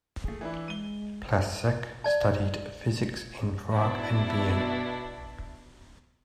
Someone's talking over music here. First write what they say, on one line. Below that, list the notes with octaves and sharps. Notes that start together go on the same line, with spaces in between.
Placzek studied physics in Prague and Vienna.
A3 G#4
E3 D4 E4
G#3 D#7 G7
E5
D5 A5
B2 D4 E4